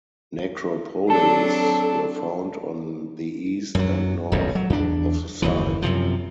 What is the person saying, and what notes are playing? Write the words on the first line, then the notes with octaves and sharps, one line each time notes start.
Necropoleis were found on the east and north of the site.
F#3 C4 D4 A4 A5
F#2 F#3
D#1 B1 F#2
F#3
E2 D4
F#1 D#2 E3
F#2 C3 F3